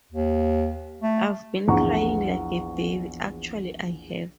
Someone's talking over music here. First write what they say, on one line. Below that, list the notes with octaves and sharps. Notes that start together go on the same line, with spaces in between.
I’ve been crying like a baby, actually I have.
D#2
A3
A#1 E2 G#4 F#5 A#5 C#6